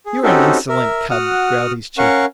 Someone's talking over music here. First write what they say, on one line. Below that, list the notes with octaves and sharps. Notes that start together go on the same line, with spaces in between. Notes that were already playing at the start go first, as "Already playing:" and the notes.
"You are an insolent cub," growled his Chief.
G#4
C4 C#4 D#4 F#4 G4 A4
A#4 E5
F#4 F#5 D#6 F6
C#4 A#4 F5 F#5 C#6